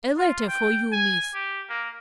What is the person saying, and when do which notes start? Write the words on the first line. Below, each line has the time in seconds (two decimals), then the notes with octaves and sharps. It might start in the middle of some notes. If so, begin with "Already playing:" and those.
A letter for you, Miss.
0.17 F4
0.48 G5
0.92 G#5
1.34 G4
1.69 A#3